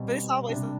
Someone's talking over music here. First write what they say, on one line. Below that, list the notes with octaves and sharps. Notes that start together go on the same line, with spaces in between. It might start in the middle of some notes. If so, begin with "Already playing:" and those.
But it's always
Already playing: B2 G3 C4
C3 G3 D4